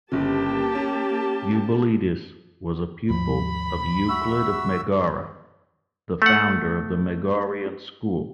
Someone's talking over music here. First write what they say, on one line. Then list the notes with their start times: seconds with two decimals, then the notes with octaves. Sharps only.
Eubulides was a pupil of Euclid of Megara, the founder of the Megarian school.
0.12 G1 C#3 A#3 G4 A5
0.75 C#4
3.10 D#2 G#2 F3 B5
4.09 F#4 E5 E6
6.22 A3 F#5